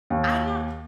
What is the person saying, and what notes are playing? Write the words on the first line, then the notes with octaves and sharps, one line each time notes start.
I'm not
D#2